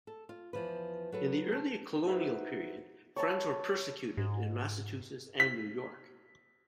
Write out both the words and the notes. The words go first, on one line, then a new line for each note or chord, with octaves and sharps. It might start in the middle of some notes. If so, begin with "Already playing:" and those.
In the early colonial period Friends were persecuted in Massachusetts and New York.
A4
F4
E2 F3 B4
F#3 A4 B4
A5
D#4 E4 F#4 B4 C5
C#5 A5 B5
G#2
B6